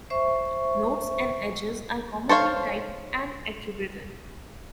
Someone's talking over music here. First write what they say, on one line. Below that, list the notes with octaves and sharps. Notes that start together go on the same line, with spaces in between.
Nodes and edges are commonly typed and attributed.
C5 E5 C#6
A4 C5 C#5 F5